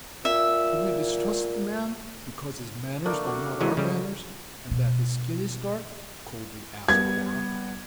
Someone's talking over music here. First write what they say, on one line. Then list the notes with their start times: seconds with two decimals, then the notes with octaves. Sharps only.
"Should we distrust the man because his manners are not our manners, and that his skin is dark?" coldly asked Cora.
0.25 A#2 E5
3.05 A3 A#3 D4
3.26 F#4
3.61 E3 F#3 G#3 D#5 B5
3.77 C#3 G3
4.71 B2
6.89 G3 B3 G#6